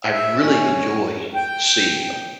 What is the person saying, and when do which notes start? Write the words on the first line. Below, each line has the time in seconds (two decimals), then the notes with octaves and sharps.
I really enjoy seeing them.
0.12 E5
0.36 C#4
1.35 G5